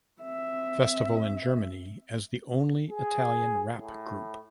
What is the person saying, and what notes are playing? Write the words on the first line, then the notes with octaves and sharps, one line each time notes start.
Festival in Germany as the only Italian rap group.
C4 E5
G#4
A2